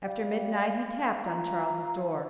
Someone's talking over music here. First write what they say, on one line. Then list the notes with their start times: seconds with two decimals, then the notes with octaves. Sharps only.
After midnight he tapped on Charles's door.
0.06 G3 F5
1.25 F4 A#5